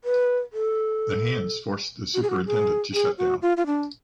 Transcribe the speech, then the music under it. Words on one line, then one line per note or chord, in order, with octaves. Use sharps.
The hands forced the superintendent to shut down.
B4
A4
F#4
G#4
F#4
G#4
G#4
F#4
F4
F4
D4